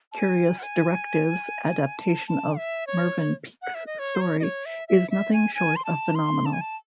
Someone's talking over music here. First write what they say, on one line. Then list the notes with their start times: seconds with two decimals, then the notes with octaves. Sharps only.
Curious Directive's adaptation of Mervyn Peake's story is nothing short of phenomenal.
0.12 A5
0.19 G#5
0.59 F#5
0.63 G#5
1.98 A5
2.27 A5
2.57 E5
2.87 C#5
3.62 F#5
3.75 E5
3.86 D#5
3.99 C#5
4.15 C5
4.21 C#5
4.39 D#5
4.43 C#5
4.66 E5
4.88 E5
5.10 E5
5.33 G#5
5.55 G#5
5.76 C6
5.85 A5
6.15 C6
6.46 A5
6.53 G#5
6.61 A5